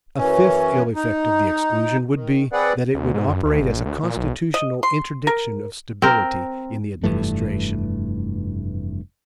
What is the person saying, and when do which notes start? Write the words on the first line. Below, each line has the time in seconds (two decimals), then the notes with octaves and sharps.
A fifth ill effect of the exclusion would be, that it would operate as a constitutional interdiction of stability in the administration.
0.18 F#2 E3 C#4
0.95 D#4
2.15 D#3
2.52 C4 G#4 B4 D5 F#5
2.95 D2
3.14 G#2
3.27 F#2
3.45 D2
3.60 G1
3.72 A#1
3.86 D2
4.03 A#2
4.17 B1
4.54 D#5
4.83 C6
5.27 A#4
6.02 C4 A#4
7.04 F1 G2 E3 A3